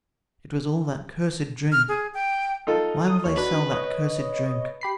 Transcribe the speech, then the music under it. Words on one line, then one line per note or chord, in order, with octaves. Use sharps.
It was all that cursed drink; why will they sell that cursed drink?
F6
G#4
G5
D#4 F4 A4
D#6
D#2 C#5
D4 F#4 B4
C#5 D#5
G4 B5 C7